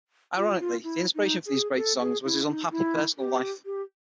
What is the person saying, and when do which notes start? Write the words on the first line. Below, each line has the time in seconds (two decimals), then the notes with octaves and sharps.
Ironically, the inspiration for these great songs was his unhappy personal life.
0.36 F4
0.60 F4
0.84 E4
1.15 D#4
1.46 G#4
1.76 A4
2.01 G#4
2.25 E4
2.47 D#4
2.71 E4
3.19 G4
3.65 G4